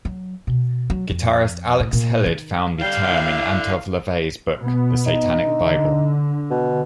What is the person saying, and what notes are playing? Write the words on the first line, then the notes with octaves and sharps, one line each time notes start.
Guitarist Alex Hellid found the term in Anton LaVey's book "The Satanic Bible".
F#3
B2
F#3
F2
A2
A#2
D#3
D3 G3 F5 G5
E4
B2 B3
D#4
D3
B2